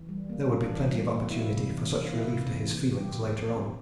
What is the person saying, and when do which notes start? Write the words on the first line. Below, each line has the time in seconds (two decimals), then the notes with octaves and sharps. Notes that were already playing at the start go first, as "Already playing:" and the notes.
There would be plenty of opportunity for such relief to his feelings later on.
Already playing: E3
0.09 G3
0.29 A#3
0.49 D4
0.70 E3
0.91 G3
1.10 A#3
1.31 E4
1.51 C3
1.71 E3
1.92 A#3
2.13 E4
2.32 C3
2.52 E3
2.73 A#3
2.92 G4
3.13 A#2
3.33 F3
3.54 C4